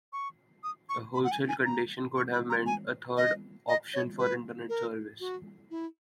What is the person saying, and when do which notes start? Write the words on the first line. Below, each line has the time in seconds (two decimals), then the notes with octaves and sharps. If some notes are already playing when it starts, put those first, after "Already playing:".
A wholesale condition could have meant a third option for internet service.
0.13 C#6
0.64 D#6
0.89 C#6
1.14 B5
1.24 F#5
1.32 G#5
1.49 G#5
1.65 A#5
2.16 C#6
2.33 B5
2.50 A#5
2.66 G#5
3.17 D#5
3.68 D#5
3.94 C#5
4.19 B4
4.69 A#4
5.20 F#4
5.71 E4